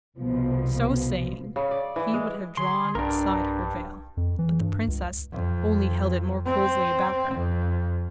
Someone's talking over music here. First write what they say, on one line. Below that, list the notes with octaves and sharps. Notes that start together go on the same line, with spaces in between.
So saying he would have drawn aside her veil; but the princess only held it more closely about her.
C2 B2 F3
C#3
D5
E3
G#3
D3 G#4 C6
B1 G2 D4 A#4
F2
E3
G2
C#2
F2
C4
F2